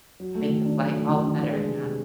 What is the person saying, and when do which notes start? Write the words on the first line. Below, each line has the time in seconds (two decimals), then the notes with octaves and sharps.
make the flight all the better, you know?
0.20 F#3
0.35 A3
0.49 D#3
0.65 D4
0.80 F#3
0.94 A3
1.09 D#3
1.25 D4
1.39 E3
1.53 G#3
1.69 C3
1.84 C3